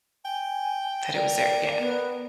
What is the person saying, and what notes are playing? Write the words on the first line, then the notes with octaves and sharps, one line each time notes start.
That it was there. Yeah.
G5 G#5
A#4 D5 G5
B3